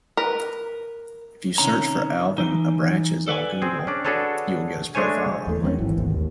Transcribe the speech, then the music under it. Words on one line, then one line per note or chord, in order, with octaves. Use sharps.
If you search for Alvyn Abranches on Google, you will get his profile only.
A#4 B4
C3 D#3 C#4 A#5
E3 D#4
A4 B4 D5 F5 G#5
C4 G#4
C#4 D4 D5
D4 F#4 G#4 A4 B4 C#5
G#3 A3 D4 C5 C#5 G#5
E2 A3
D#3 F#3 C4 C#4
G#1 E3
G#1 E2 A2
D#2